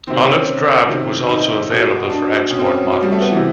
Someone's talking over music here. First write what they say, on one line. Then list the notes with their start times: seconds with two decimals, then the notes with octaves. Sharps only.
Olive drab was also available for export models.
0.07 C3 D#3 C4
0.20 C4
0.27 C#4
0.89 C3 D#3
1.29 D#4
1.70 B2
2.10 D4
2.51 B2 C#4
2.59 C4
2.66 C#4
2.92 C#4
3.02 G3
3.12 A3
3.22 B3
3.32 C3 E3